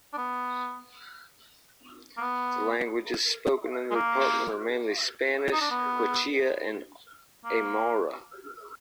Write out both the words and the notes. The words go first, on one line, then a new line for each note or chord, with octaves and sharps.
The languages spoken in the department are mainly Spanish, Quechua and Aymara.
D4
B3
A#3
B3
G#3
A#3
D#4
D4
B3
A#3